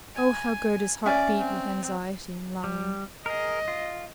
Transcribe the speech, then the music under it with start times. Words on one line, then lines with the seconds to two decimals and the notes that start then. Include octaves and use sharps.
Oh, how Gerda's heart beat with anxiety and longing!
0.15 G#5
1.06 C#4 D5 E5 G#5
1.38 C4
2.64 G3
3.26 G#4 A#4 D#5
3.68 F4